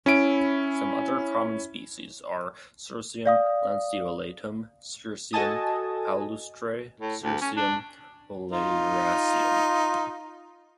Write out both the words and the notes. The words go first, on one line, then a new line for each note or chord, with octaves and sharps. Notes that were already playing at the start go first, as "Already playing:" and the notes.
Some other common species are: "Cirsium lanceolatum, Cirsium palustre, Cirsium oleraceum".
C#4 E4 D7
D5 F5 D#6
F#4 A4 D#5 G#5 A5 D#6
A2
D2
C#4
D4
D#4 F4